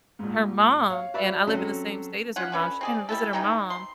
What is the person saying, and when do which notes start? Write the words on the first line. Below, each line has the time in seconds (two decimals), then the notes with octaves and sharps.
her mom, and I live in the same state as her mom. She came to visit her mom,
0.19 A#1 G#2
0.90 C#5 F5
1.14 F#4 B4 D5 E5
1.47 F#3 C4 C#4 F#4 A4
2.36 C#4 F4 F#5
2.52 D3 C#4 B4
2.81 C4 G#4 D5
3.09 G3 E4 A4
3.33 C#3 E3 D#4 G5
3.70 C6